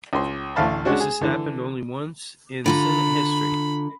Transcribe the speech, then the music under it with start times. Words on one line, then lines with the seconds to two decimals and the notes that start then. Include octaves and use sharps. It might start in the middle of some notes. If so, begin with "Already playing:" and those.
This has happened only once in Senate history.
0.13 C#2 C6
0.56 A1 D2 A3 F5 A5 B5
0.85 G#3 C#4 D4 F#4
1.00 G#4
1.21 D3 E3
2.66 D3 F4 A#5 B5